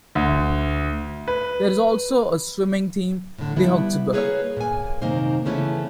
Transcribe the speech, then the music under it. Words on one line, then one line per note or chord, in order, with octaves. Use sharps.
There is also a swimming team: De Hokseberg.
D2
B4
A2 D3
G3 B3 E4
A#3 G#4 B4 C#5
A#2 G#5
F#2 C3 D#3 A#3 D#4 C5
C#3 E3 A3 B3 C#4 E4